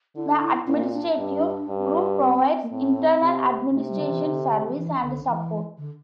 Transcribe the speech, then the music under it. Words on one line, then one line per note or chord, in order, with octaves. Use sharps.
The Administrative Group provides internal administration service and support.
D3 E4
D4
E4
A#2 E4
A#3
C4
D4
G2
G2
C4
A#3
A2 C4
C3
C3 A3
G3
D3
E3
D3
F3
E3
D3
E3
D3